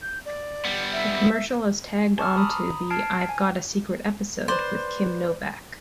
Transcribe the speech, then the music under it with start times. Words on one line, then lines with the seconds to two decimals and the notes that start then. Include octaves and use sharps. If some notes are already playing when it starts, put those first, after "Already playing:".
The commercial is tagged onto the I've Got a Secret episode with Kim Novak.
0.02 G6
0.26 D5
0.65 G3 B3
0.92 E5
2.18 G#5 A5 C#6 D6 E6 F6
2.37 A#5 B5 D#6
2.90 A5 F6 G#6 C7 D7
3.29 G#5
4.48 B4 C5 D5